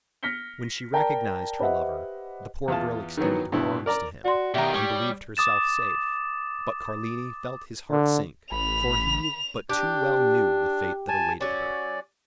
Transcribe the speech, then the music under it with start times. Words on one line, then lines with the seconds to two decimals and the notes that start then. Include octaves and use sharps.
When she recognized her lover, the poor girl extended her arms to him, and believed herself safe; but Carlini felt his heart sink, for he but too well knew the fate that awaited her.
0.23 F6 A#6 B6 C#7 G7
0.92 A#4 D5 G5 A5 A#5
1.59 G4 B4 C5 D#5 E5 F#5
2.68 E2 F4 A5
3.18 D#3 E3 F#3 B3
3.52 G2 B2 E4
3.86 A#4 D5 A#5
4.25 F#4 D5 C6
4.54 B2 D#3 E4 G4 A#5
4.74 G3 C#5 C#6 D#6
5.37 D6 D#6 A6 E7
7.90 D3
8.52 A1 B5 F7
9.69 D4 G4
11.09 G#5 A5
11.41 F#3 C#4 D5